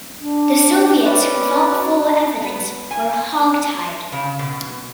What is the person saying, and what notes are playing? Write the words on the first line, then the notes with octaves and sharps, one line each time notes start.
The Soviets, without full evidence, were "hog-tied".
D4
C#4 B4 D5
F#4
B3
G#5
C#3
B2